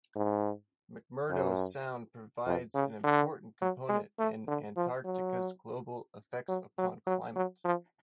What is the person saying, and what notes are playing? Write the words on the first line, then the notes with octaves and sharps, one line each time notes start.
McMurdo Sound provides an important component in Antarctica's global effects upon climate.
G#2
F#2
F2
C#3
D3
F#3
G#3
A3
D3
F3
F#3
F#3
F#3
F#3
F#3
F3